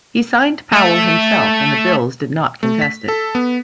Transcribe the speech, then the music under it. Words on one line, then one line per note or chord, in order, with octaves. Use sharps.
He signed Powell himself, and the Bills did not contest it.
A3 A4
A3
B6
A4
B3